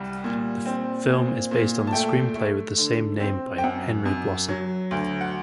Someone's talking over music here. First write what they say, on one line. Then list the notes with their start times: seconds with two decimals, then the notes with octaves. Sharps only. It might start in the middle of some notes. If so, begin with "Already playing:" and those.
The film is based on the screenplay with the same name by Henry Blossom.
Already playing: C2 G3 F#5
0.24 A#2
0.65 C4
1.08 A#2
1.51 A#2
1.87 A5
1.93 A3 G5
2.35 A3
2.78 D3
3.20 C4
3.58 G5
3.64 F#2 F#5
4.05 F#2
4.48 F#3
4.91 D2
5.21 F#5